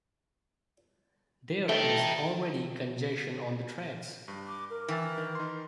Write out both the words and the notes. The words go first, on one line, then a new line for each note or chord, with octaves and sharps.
There is already congestion on the tracks.
A3 D#5 G5
G2
D6
A#4
E3 G5 G#5 A6
D#3
D#4 C6